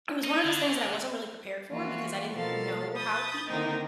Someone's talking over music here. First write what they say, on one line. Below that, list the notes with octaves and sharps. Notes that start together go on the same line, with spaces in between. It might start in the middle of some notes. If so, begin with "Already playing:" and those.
it was one of those things that I wasn't really prepared for because I didn't know how people
D#4
D3
E3 F3 A#3 F4 F#4
B2 F3 A#3 A4 F5 A6
B5 D#6 G6 A6
D3 D#3 A#3 C4 D#4 A#4